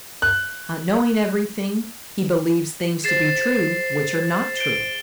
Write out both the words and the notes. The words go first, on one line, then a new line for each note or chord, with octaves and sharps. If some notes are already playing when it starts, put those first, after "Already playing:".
Not knowing everything, he believes things to be true which are not true.
F#6
G#4 C5 A6 C7 E7
D7 G7